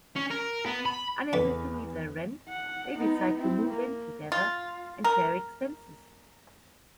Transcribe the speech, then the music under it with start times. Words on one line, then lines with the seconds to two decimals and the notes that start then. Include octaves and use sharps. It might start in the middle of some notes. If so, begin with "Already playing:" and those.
Unable to meet their rent, they decide to move in together and share expenses.
0.16 C#4
0.31 A#4
0.66 B3
0.86 B5
1.33 E2 D3 B3
2.48 F#5
2.98 B3 D#4
3.37 C4 E4
3.70 A#3
4.32 F4
5.04 A#4